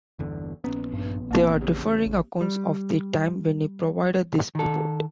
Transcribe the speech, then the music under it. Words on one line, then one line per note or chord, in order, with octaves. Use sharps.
There are differing accounts of the time when he provided this report.
G1 E2 D3
A#1 B3 C#4
G2
A1 A#3 C4
E2 C#3 G4
A1
G3
D#3 A4